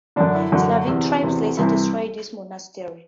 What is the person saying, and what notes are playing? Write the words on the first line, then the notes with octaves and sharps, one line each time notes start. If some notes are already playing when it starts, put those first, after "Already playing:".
Slavic tribes later destroyed this monastery.
F#2 D3 D4
E4
F#2 D3 F#4
E2 C3 E3
E2 C3 E3
C2 C3 E3 E4